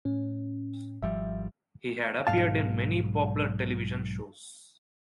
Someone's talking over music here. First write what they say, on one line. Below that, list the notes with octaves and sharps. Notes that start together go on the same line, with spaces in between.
He had appeared in many popular television shows.
A2 C#4
G#1 F3 G3 E5
B1 G#2 F5 A5